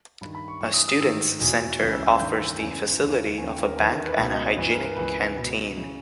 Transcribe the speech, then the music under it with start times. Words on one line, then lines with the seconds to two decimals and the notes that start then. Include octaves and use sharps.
A Students' Centre offers the facility of a bank and a hygienic canteen.
0.21 G2 B5
0.25 D#3
0.35 B5
0.48 C#6
0.60 G2 C#6
0.66 E3
0.74 D#6
0.88 D#6
1.01 G#2 D#3 E6
1.40 E2 B2
1.79 C#2 C#3 E3 G6
1.93 E6
2.06 E6
2.20 G2 D#3 G6
2.40 E6
2.59 E2 C#3 E3 G#5
2.99 D#2 C#3 E3
3.38 D#2 C#3 E3 G#5
3.51 G5
3.65 A#4
3.78 E2 D#3 B4
3.92 A#4
4.05 B4
4.17 C#2 B2 D#5
4.31 D#5
4.45 C#5
4.57 G2 E3 B4
4.71 A#4
4.84 B4
4.97 C#2 C#3 E3 B4
5.37 C#2 B2
5.77 C#3 E3